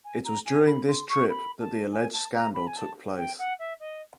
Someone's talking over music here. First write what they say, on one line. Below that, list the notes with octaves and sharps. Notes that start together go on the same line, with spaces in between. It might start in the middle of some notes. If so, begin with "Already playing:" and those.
It was during this trip that the alleged scandal took place.
G#5
A#5
G#5
B5
C6
C#6
B5
A5
G#5
A5
A#5
B5
G#5
A5
G5
F#5
E5
D#5